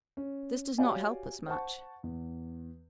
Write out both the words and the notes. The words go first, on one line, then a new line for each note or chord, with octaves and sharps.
"This does not help us much."
C#4
F#4 G4 C#5 D5 F5 G#5
C5 F#5 A5 C#6
E2